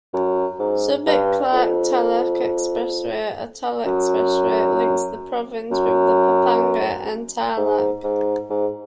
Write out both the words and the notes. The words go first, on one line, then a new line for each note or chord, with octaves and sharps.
Subic-Clark-Tarlac Expressway, a toll expressway, links the province with the Pampanga and Tarlac.
F#2
G#2
G2
F2
F#2
F#2
G#2
G#2
G#2